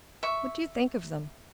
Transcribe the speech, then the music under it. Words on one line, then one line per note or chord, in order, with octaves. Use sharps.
What do you think of them?
E5 C#6